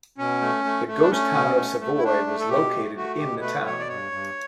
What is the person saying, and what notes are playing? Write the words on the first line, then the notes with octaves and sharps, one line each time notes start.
The ghost town of Savoy was located in the town.
B2 C#4
A3
A3
A3
D4
A3 C#4
B2
A3
A3
E4
A3 D4
A3
A4
B2 G4
A3
A3 F#4
B2 G4
A3 B4
B2 C#5
D5
G2 C#5
G2